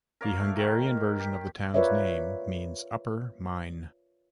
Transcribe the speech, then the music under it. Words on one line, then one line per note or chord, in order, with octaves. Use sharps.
The Hungarian version of the town's name means "Upper Mine".
A#4 C#5 D5 F5
A3
D#3 G4 A#4
G4
F4 A#4 B4 C#5 D5 E5